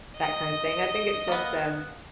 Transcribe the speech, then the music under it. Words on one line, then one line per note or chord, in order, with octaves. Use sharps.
that kinda thing, I think it just, um,
D#5
A#3 B3